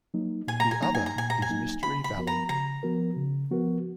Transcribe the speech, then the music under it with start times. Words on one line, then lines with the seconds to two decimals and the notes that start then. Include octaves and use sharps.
The other is Mystery Valley.
0.14 F#3 A#3 D#4
0.47 A#2 G#5
0.60 A#5
0.71 G#5
0.81 F#3 A#3 D#4 A#5
0.95 G#5
1.06 A#5
1.16 A#2 G#5
1.30 A#5
1.42 G#5
1.49 F#3 A#3 D#4
1.82 C#3 B5
2.04 B5
2.15 F3 B3 F#4 A#4
2.27 A#5
2.49 C#3 A#5
2.83 F3 B3 F#4 A#4
3.17 C#3
3.51 F3 B3 F#4 A#4